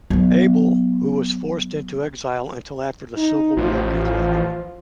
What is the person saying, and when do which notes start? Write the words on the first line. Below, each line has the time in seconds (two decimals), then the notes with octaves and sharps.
Abell, who was forced into exile until after the Civil War concluded.
0.10 F#3 B3
3.17 D#4
3.57 A1 F3 F4